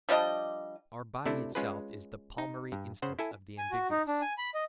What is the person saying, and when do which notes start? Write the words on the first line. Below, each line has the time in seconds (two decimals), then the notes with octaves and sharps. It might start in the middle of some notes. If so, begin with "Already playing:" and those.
Our body itself is the palmary instance of the ambiguous.
0.09 F3 G3 D4 D#5
1.26 C3 A3 D4 E4 A4
1.55 G#3 C#4 F4 G#4 B4
2.38 D#4
2.72 G2
3.02 C#3 C5 F#5
3.19 E4 A4 G#5
3.58 G#5
3.71 F#4
3.90 D#4
4.07 D4
4.21 G#5
4.38 B5
4.55 D#5